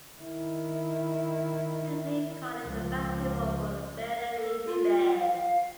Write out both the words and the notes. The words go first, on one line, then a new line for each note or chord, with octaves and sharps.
She played college basketball for the Baylor Lady Bears.
D#3 E4
C#2 F3
A4
F4
F5